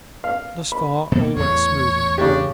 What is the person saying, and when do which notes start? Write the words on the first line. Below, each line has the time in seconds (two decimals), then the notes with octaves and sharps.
Thus far all went smoothly.
0.24 F5
0.72 B5
1.12 B2 A#3
1.36 E2 A2 C#5
2.18 C#3 D4 G4